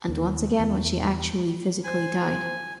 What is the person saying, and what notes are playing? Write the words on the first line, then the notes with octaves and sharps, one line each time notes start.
And once again when she actually physically died.
D#2
E2
C5 G#5